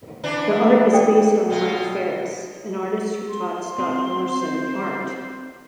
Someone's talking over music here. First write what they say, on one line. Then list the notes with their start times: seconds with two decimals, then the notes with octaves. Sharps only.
The art is based on Mike Ferris, an artist who taught Scott Morrison art.
0.24 E3 D4 B4
0.93 A4 D5 G5
1.50 B2 F4
3.29 C6
3.78 C4
4.40 C5